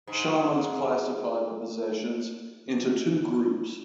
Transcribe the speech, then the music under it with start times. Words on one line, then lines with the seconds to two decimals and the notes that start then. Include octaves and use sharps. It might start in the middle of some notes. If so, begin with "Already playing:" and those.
Shamans classify the possessions into two groups.
0.07 G#2